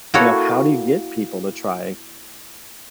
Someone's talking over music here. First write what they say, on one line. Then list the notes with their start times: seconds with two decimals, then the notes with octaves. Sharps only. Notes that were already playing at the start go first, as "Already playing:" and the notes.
you know, how do you get people to try,
0.14 A#3 E4 F#4 A4 C#5